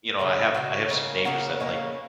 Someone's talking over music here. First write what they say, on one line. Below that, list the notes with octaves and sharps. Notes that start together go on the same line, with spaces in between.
you know, I have I have some neighbors that, like,
C#3 G#3 F#4 C#5
C#3 G#3 F#4 F#5
C#3 A#3 C#4 A#4 D#5
C#3 A#3 C#4 A#4 F#5
C#3 A#3 C#4 A#4 D#5